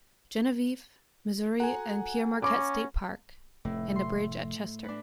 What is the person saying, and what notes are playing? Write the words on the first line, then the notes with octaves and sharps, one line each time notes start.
Genevieve, Missouri and Pere Marquette State Park, and a bridge at Chester.
F#4 A4 F#5 G#5 A#5
C#4 B5 C#6 D6 A#6
F1 A2
C6
D4 B4